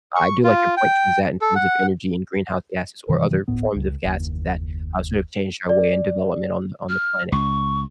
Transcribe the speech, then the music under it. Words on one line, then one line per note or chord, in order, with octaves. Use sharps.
I do like your point towards that in terms of energy and greenhouse gases or other forms of gases that, uh, sort of change our way and development on on the planet.
C#6
F4
G5
A4
F#5
G2 C3 D#3 E3
D1 G1 A2 B3
C#2
F#1 D#2
D5
F6
C#2 C#6